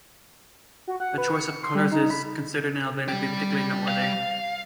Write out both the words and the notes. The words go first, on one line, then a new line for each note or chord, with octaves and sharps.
The choice of colours is considered in Albania to be particularly noteworthy.
F#4
F#5
B4
C#7
C6
G3
D#4
B5
G3 G4
F5